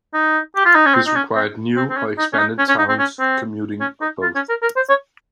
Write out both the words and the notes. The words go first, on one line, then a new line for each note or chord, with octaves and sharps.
This required new or expanded towns, commuting, or both.
D#4
G4
F4
D#4
C#4
C4
D#4
C#4
C4
C4
C4
C#4
D#4
C#4
D#4
C#4
C#4
D#4
C4
C#4
C4
C#4
D#4
F4
C#4
A#4
A#4
C5
C#5